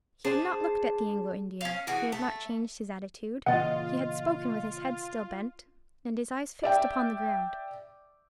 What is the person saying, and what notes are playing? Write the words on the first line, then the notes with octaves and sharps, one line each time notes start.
He had not looked at the Anglo-Indian; he had not changed his attitude; he had spoken with his head still bent, and his eyes fixed upon the ground.
D4 G#4 C5 A5
C#4 F5
E3 F#4 G#4
A3
A#2 C#3 E3 F4 D#5 F#5 A6
D5 E5 G5